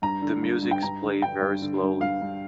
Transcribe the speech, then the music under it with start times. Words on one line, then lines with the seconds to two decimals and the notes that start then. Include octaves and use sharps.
The music is played very slowly.
0.02 G2 A#5
0.22 D3
0.43 G2
0.62 G2
0.71 G5
0.83 G2 A#5
1.02 D3
1.22 D3 G5
1.41 G2
1.62 D3
1.81 G2
2.01 G2 F5
2.22 G2